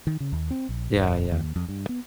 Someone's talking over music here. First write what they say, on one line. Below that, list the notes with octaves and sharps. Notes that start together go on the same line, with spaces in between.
Yeah, yeah.
D#3
C#3
D#2
C4
A#1
D#1
D#2
F2
G2
B3